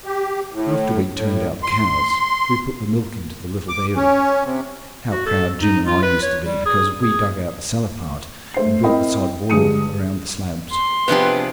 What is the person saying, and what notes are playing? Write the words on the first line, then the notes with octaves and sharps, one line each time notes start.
After we'd turned out the cows we put the milk into the little dairy. How proud Jim and I used to be because we dug out the cellar part, and built the sod wall round the slabs!
G4
A2
A2
C6
D6
C#4
C3
F#4
A4
D#4
F4
B4
C#5
G3
G#4
G#4
A3 C5 C7
C4 E4 A#4 D#5 G5 B5
G2 D3 G#3 D#6 C#7 D#7
C6
C3 F3 B3 D4 G4 G#4 B4